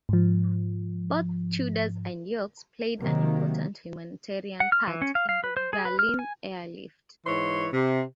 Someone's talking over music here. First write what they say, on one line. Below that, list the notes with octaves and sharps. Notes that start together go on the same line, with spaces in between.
Both Tudors and Yorks played an important humanitarian part in the Berlin Airlift.
G#2 F3
C3 D#3 F#3 A#3
F#5
F6
E3
C#4
F5
F5
B4
C5
G#4
B4
F6
G#5
G#2 E3 C#5 C6
C3